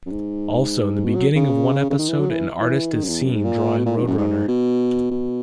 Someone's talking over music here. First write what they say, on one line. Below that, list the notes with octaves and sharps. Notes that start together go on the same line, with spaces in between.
Also, in the beginning of one episode, an artist is seen drawing Road Runner.
F#2
G#2
B2
F#3
C#3
C#3
D#3
E3
F#3
E3
E3
D#3
F#2
E2
F#2
G#2
A#2
B2
A#2
G#2
E2
F#2
G#2
B2
B2